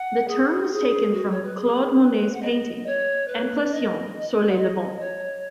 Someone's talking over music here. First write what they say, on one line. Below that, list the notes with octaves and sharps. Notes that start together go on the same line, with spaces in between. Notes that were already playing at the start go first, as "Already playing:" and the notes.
The term was taken from Claude Monet's painting "Impression: soleil levant".
Already playing: F#5
G#4
G#4
F#4
C#5
B4
G#4
B4
F#5
D#5
C#5
B4
D#5
F#5
D#5
C#5